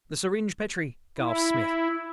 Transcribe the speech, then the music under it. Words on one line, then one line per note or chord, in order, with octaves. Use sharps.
"The syringe, Petrie!" gasped Smith.
E4